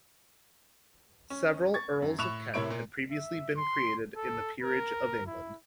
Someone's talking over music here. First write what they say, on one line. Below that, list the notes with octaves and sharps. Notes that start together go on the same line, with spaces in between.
Several Earls of Kent had previously been created in the Peerage of England.
C#4
C#6 G#6 A6
F#2
A2 C#6 F#6 E7 F7
A2 C3 A#3 E4 C#5 D7
A#2
E5
C6
A4
A#4
E4